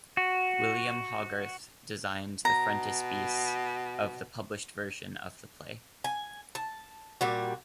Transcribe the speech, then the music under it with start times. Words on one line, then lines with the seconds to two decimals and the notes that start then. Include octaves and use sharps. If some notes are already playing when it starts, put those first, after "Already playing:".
William Hogarth designed the frontispiece of the published version of the play.
0.17 F#4
2.45 B2 A#5
6.04 G#5
6.55 A5
7.21 A#2 G3 F#4